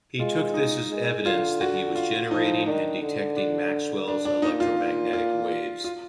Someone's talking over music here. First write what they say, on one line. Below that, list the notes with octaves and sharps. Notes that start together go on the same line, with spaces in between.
He took this as evidence that he was generating and detecting Maxwell's electromagnetic waves.
G#3 F4
D#4
G#3
D3 F4
F#4
F4
F3 D#4
D#3 D4
D3
D4
D4
D4
A#2 D#4
F4
A#2
F4
F4